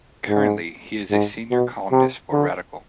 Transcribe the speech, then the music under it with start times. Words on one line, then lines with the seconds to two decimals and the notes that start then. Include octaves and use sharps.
Currently, he is a senior columnist for "Radikal".
0.29 G#2
1.11 G#2
1.51 B2
1.91 C3
2.32 D3